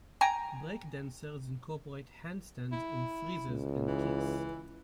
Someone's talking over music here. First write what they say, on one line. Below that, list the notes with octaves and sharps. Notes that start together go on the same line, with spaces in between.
Breakdancers incorporate handstands in freezes and kicks.
G5 G#5 A#5
E4
C#2
E3